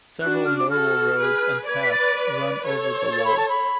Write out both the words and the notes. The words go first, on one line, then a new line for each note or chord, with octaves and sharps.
Several notable roads and paths run over the Wolds.
D4 F#4 F#6
F6
D6
F#4 A4 F6
G#4 B4
B4 D5 G#6
B6
A6
A4 C#5
A6
B5
A5
B5